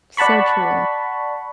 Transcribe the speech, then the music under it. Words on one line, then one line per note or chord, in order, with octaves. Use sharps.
So true.
D5 F#5 A5 B5 C#6